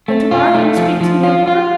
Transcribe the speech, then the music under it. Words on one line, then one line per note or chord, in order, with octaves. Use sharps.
"Then tomorrow you will speak to the Emperor?"
A3
F4
A3
F3
F3
F4
F4